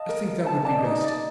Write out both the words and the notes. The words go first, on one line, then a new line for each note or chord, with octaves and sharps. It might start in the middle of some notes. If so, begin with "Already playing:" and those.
I think that would be best.
Already playing: D#5 F5 A5
A#4
A#4
A5
D5 A5
D#5
D#4
D#5
D5